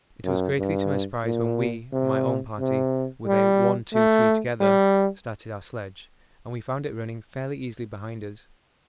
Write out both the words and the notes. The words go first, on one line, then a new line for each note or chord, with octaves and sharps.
It was greatly to my surprise when we--my own party--with a 'one, two, three together' started our sledge, and we found it running fairly easily behind us.
F#2
G2
A#2
C3
C3
G3
A3
G3